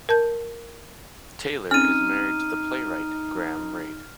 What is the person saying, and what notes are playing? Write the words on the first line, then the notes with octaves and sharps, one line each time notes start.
Taylor is married to the playwright Graham Reid.
A#4 A5 G6
C4 C#4 D#4 F6 D#7